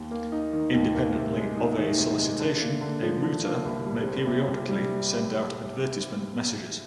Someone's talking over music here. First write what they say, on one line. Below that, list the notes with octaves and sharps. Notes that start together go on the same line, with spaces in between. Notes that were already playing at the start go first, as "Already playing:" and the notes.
Independently of a solicitation, a router may periodically send out advertisement messages.
Already playing: D#2
A#3
D#4
D#3
D#2
A#3
C3
G#3
D#4
D#3
C3
G#3
D3
A#3
D3
F3
D3
A#3
C2
G3
C4
C3
C2
G3